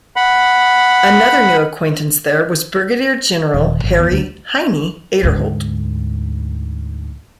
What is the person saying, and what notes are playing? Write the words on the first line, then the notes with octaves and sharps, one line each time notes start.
Another new acquaintance there was Brigadier General Harry "Heinie" Aderholt.
F#5 B5
D#1
G#1
E2
D2
D2 G#2